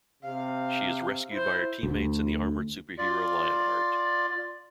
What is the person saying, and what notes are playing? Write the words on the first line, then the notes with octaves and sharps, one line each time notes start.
She is rescued by her teammates and the armored superhero Lionheart.
C3 F5
E4 C5
D2
F4 D5